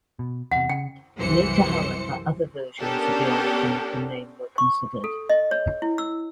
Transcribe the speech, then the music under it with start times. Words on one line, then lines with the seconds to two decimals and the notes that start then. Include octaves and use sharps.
Later, however, other versions of the origin of the name were considered.
0.19 B2
0.52 E2 C3 F#5
0.69 C#3 G5
1.18 C2 F#2 E3 C5 C#7
2.80 B3 C#4 D4 G4 A4 A#4
4.58 C#6
5.04 A4
5.29 D#5
5.51 C#5
5.82 E4
5.98 E6